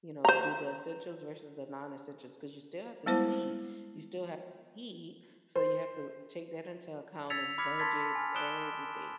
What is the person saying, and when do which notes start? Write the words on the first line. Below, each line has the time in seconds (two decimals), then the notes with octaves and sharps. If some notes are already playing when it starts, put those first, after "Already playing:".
you know, do the essentials versus the non-essentials 'cause you still have to sleep, you still have eat. So, you have to take that into account and budget everything.
0.25 C5 A#5
3.06 G3 G#3 B3 E4 C5
5.55 C5
7.30 E6 G#6 A6 B6 C#7 F7
7.58 B5 D6 F6 G#6 B6 C#7
7.79 A5 C6 G#6 A6 B6
8.15 G#5 F6
8.35 D#6 F#6 D7 E7 G7